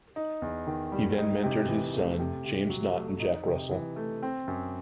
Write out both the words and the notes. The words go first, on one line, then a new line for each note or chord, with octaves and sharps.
He then mentored his son James Knott and Jack Russell.
D#4
E2
D#3
G3
D#4
C3
E3
A3
C3
C3
F#3
A3
D#4
C3
E3
A3
C4
F#2